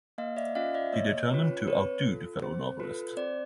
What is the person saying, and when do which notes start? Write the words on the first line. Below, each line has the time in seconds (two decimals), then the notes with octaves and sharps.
He determined to outdo the fellow novelist.
0.18 A#3 D#5 F5
0.37 D5 E5
0.55 C#4 F4 D#5 F5
0.74 D5 E5
0.93 A#3 C#5 D#5
1.30 C#4 F4 B4 C#5
1.68 C4 B4 C#5
2.05 F4 A4
2.42 C4 C5
2.80 F4 A4 B4
3.16 C4 C5 D5